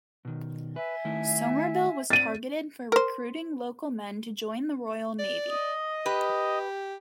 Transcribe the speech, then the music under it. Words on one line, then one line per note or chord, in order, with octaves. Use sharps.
Somerville was targeted for recruiting local men to join the Royal Navy.
B2 D#3
B4 E5 G#5
D#3 A3 E4
C4 D5 A6 D#7
A#4 C5
D5
D#5
G4 B4